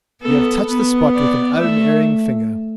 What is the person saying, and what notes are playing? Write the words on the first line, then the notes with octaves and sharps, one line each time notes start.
'You have touched the spot with an unerring finger.
B3 A4
B3 B4
D5
A3 E5